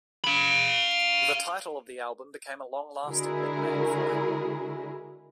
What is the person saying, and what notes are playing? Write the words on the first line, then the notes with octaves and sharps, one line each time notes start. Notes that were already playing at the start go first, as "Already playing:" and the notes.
The title of the album became a long lasting nickname for him.
F5 B5
D3 G#3 E4 F#4 G#4 A#4